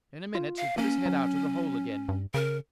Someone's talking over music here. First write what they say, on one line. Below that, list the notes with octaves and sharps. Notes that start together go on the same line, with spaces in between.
In a minute he put his head out of the hole again.
F4
F5
A#3 C#4
F#3
G2
C#3 A#4